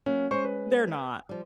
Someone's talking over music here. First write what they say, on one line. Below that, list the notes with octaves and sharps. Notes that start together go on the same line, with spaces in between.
They're not.
F#3 A#3 C#4
G#3 C#4 C5 C#6
B4
F3 G3